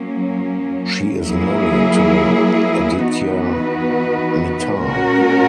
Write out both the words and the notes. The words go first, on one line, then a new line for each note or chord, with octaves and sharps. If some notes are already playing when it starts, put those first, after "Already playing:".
She is married to Aditya Mittal.
Already playing: F#3 A#3 C#4
F#3 A#3 E4 G#4
E3 B3 D#4 F#4 B4
A#2 G#3 C#4 F#4 A#4